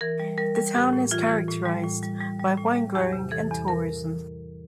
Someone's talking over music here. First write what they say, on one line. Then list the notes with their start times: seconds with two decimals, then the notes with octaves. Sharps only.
The town is characterized by winegrowing and tourism.
0.01 E3 A#4
0.20 G3
0.38 G3 A#4
0.56 G3
0.75 A2 G4
0.93 A2
1.11 E3 F4
1.29 E3
1.48 A2
1.66 G3
1.84 A2
2.03 G3
2.21 G3
2.39 G3
2.57 A2
2.76 G3
2.95 E2 G4
3.13 C3
3.31 E3 A4
3.51 E2
3.68 A#4